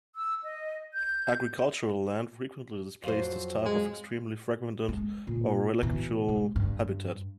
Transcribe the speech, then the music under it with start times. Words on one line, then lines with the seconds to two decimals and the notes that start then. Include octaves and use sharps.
Agricultural land frequently displays this type of extremely fragmented, or relictual, habitat.
0.15 E6
0.43 D#5
0.93 G6
3.04 F2 F#3 C5
3.65 G#3
4.89 G#3
5.27 A#2
5.82 B2 E3
6.29 G#3
6.56 G2